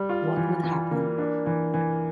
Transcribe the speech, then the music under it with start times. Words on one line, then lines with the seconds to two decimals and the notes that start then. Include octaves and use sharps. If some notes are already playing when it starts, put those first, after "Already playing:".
What would happen?
Already playing: G3
0.09 F4
0.36 E3
0.63 E3
0.91 A#3
1.18 D4
1.46 E3
1.74 E3